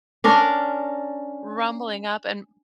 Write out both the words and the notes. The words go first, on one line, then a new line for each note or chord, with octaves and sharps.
rumbling up and
C#4 D4 A#4